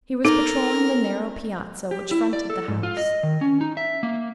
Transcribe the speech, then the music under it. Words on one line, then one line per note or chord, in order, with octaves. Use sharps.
He was patrolling the narrow piazza which fronted the house.
D#4 A4 A#4
G4
E4
D5
A4
G#2
F4
D#5
D#3
C#4
D#4
E5
A#3